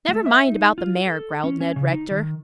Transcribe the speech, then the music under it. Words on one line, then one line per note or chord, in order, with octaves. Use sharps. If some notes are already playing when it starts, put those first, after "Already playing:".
"Never mind about the mare," growled Ned Rector.
A3
E5
D#4
F4
A4
C#4
C#4
C#3
D#4
D#3